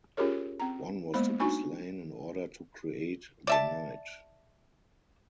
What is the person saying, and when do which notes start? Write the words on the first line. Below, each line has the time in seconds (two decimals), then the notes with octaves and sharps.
One was to be slain in order to create the night.
0.17 C#4 F4 G4 G#4 A#4 C#5
0.60 C4 A#5
1.14 G#3 A#3 B3 C5 B5
1.40 D4 D#4 F#4 G#5 B5 C#6
3.47 D5 E5 A5